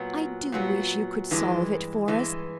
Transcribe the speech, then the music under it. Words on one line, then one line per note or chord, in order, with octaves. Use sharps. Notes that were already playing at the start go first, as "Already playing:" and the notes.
I do wish you could solve it for us.
Already playing: A#2 F#3 B3
A#2 F#3 B3
G2 E3 G#3
G2 E3 G#3